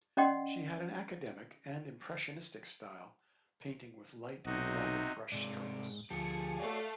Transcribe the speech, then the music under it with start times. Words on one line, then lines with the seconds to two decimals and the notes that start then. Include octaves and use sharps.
She had an academic and impressionistic style, painting with light and rapid brushstrokes.
0.17 C#4 D5 D#5 F#5 G5 C6
4.46 B1 C3 D#4 F#4
5.32 G#2 C3 D4
6.11 D2 F3 G4 G#4 A5 C#7
6.59 A3 F#4 C#5 D5 F5